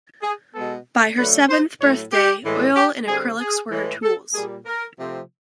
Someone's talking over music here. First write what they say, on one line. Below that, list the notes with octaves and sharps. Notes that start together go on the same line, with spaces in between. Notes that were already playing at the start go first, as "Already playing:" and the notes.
By her seventh birthday, oil and acrylics were her tools.
G#4
B2 G#3 B3 A4
D3 F#3 A3 B4
C5
A2 F#3 A3 C#5
G4
A2 E3 G#3
G4
D3 G3 C4 G#4
G#4
A2 E3 G#3
A4
A#2 G3 A#3 G#4
A#4
C3 F3 A3 C4